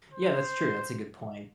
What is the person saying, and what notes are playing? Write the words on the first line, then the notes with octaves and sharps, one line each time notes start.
Yeah, that's true. That's a good point.
C5